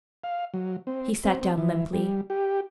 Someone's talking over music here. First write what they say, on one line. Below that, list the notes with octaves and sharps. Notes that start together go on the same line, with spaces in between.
He sat down limply.
F5
F#3
C4
C4
C4
E3
G3
G4